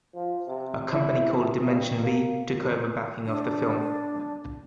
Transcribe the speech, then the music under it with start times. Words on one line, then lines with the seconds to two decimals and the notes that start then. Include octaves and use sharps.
A company called Dimension V took over backing of the film.
0.15 F3
0.48 C3
0.92 E4
1.29 C3
1.67 G2
2.01 A#3
3.25 D4